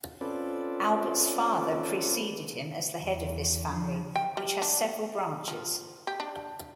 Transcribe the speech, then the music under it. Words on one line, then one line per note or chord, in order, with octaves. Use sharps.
Albert's father preceded him as the head of this family, which has several branches.
C4 C#4 F4 A4 B4 D5
E2
F3
G5
G3
D4
F3
G4
D4